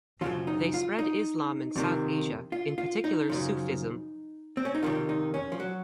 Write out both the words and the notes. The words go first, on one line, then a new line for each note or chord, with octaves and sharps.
They spread Islam in South Asia, in particular Sufism.
F#2 C#3 F3 F4
D#4
F4
D#4
F2 C3 D#3
F4
F4
D#4
F#2 C#3 F3
C4
C#4
D#4
F2 C3 D#3 F4
D#4
C#4
F3
F#3